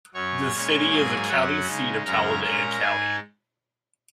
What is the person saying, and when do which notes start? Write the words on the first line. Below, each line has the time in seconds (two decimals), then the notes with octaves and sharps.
The city is the county seat of Talladega County.
0.14 F#2 F#3 C#4 C#5 C#6
0.52 A#2 G#3 C#4
0.90 G#2 F#3 A#3 G#4 G#5
1.28 F#2 F#3 C#4 F#4 F#5
1.67 C#3 G#3 D#4
2.05 F#2 C#3 G#3 C#4 A#4 A#5
2.43 A#2 G#3 C#4 A#4 A#5
2.81 G#2 G#3 D#4 G#4 G#5